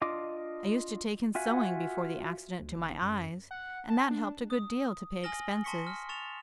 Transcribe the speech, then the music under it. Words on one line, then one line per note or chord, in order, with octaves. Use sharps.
I used to take in sewing before the accident to my eyes, and that helped a good deal to pay expenses.
D4 F4 D#5 D6
F4 F#4 E5 F#5 G#5
D2
G1
F#2
F#5
A5
D4
D#6
G#5 D#6 F6 A#6 F#7 G7
A5 C6 C#6 B6 C#7
F6
C#6 A6 E7 F7